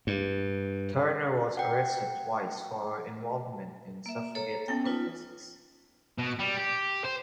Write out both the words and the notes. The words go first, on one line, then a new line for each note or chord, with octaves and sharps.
Turner was arrested twice for her involvement in suffragette protests.
G2
F#5 G5
A#3 E5
A4 C#5 A#5
A#3 B3 C#4 G5
D#4 F4 B4
B2
G3
G4
C5